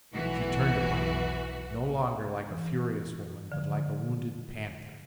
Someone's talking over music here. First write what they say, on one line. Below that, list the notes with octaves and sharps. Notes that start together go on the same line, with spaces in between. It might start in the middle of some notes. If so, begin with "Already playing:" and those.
She turned upon him, no longer like a furious woman, but like a wounded panther.
B1 E3 F#4
E3
D3 F3